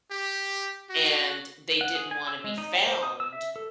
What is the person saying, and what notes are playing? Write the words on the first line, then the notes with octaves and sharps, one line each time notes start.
and they didn't wanna be found,
G4
F#4
F#5
G#4
G#5
E6
G#3
D#4
G5
C5
D#6
E6
E5
A4